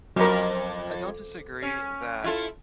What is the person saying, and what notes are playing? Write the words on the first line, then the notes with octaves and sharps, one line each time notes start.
I don't disagree that
F2 F#3 A#4
C#4
E4 F4 A4